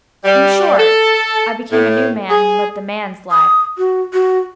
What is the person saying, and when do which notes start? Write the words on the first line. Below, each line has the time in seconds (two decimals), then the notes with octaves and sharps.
In short, I became a new man, and lived a man's life.
0.25 G3
0.78 A4
1.71 A2
2.30 G#4
3.31 D#6
3.78 F#4
4.13 F#4